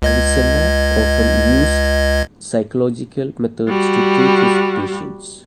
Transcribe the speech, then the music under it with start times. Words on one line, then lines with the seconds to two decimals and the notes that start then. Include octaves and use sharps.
Avicenna often used psychological methods to treat his patients.
0.02 C#2 D#5 G#6
3.69 G3 F#4